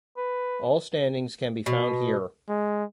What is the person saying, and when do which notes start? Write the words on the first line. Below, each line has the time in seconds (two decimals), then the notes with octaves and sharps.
All standings can be found here.
0.17 B4
1.66 B2
2.49 G#3